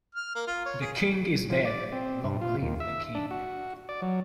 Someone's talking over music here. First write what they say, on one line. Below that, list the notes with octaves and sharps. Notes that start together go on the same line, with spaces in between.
The king is dead, long live the king.
F6
A#3
F4
C#5
G#4
F3
D5
C4
G2
F4
D#2
E5
D4
F#4
D5
F#3